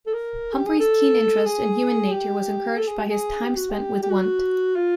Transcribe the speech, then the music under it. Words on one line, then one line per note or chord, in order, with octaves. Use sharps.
Humphrey's keen interest in human nature was encouraged by his time spent with Wundt.
A4
A#4
G4
G#4
A4
G#4
G4
A4
G#4
G4
G#4
G4
F#4
G4
G4
F#4
F4